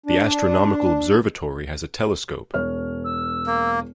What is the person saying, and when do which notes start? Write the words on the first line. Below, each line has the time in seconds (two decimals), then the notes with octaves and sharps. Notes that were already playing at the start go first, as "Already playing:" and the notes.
The astronomical observatory has a telescope.
0.06 D4
2.54 E1 C#5 F6
3.05 E6
3.47 A#3